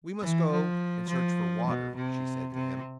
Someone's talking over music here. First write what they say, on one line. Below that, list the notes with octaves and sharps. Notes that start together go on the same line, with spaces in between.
"We must go and search for water," she said to him.
E3
F3
F3
B2
C3
C3